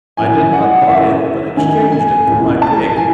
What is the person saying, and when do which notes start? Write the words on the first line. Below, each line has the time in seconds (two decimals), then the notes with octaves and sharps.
"I did not buy it, but exchanged it for my pig."
0.17 F#2 E3 G#5
0.53 F#5
0.88 F#2 E3 E5
1.57 F#2 D#3 G#5
1.92 G#5
2.27 C#2 C#3 E3
2.62 A5
2.97 E3 G#5